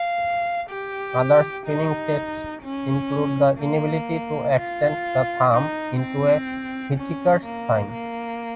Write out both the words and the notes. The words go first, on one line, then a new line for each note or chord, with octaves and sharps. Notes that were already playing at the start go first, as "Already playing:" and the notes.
Other screening tests include the inability to extend the thumb into a "Hitchhiker's sign".
Already playing: F5
G4
D#4
C#4
A#3
F4
D#4
C4
C#4
A#3
A#3